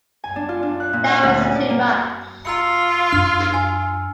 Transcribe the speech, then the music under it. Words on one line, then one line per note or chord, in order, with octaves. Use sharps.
That was too much.
G#5
D4
F4
D4
F#6
A#2
F#5
D2
C#4
D5
A#3
F4 A#5 E6 C#7
F#2 D4 F6
G#5